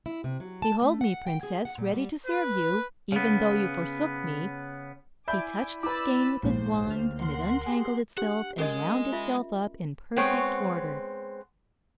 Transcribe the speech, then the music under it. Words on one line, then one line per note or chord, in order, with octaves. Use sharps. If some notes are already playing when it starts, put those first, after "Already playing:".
"Behold me, princess, ready to serve you, even though you forsook me." He touched the skein with his wand, and it untangled itself, and wound itself up in perfect order.
E4
C3
F#3
A5
A3
F#5
G5
G#4
F#5
A#2
G3
B4
C#3 B3
E4 D5 E5 G#5 B5 D6 G6
B4 B5 D6 E6 A6
A#1 D#2 G#2 C5
D2 F6
A#4 F#5 C6
G4 G#4 C7
D4 G4 F#5
G#3 C#4 A#4 D#5
F4 E5
G#3 B3 C4 C#5